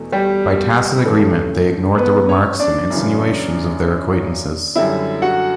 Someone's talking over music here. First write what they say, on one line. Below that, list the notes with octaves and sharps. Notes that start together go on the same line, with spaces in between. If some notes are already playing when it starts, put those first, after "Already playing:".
By tacit agreement they ignored the remarks and insinuations of their acquaintances.
Already playing: E2 B2 A3
G3 G4
B4
E2 C#3 E3 G3 A3 A4
B3 B4
C#4 C#5
D4 D5
F#2 C#3 E3
F#2 D3 G3 E4 E5
F#4 F#5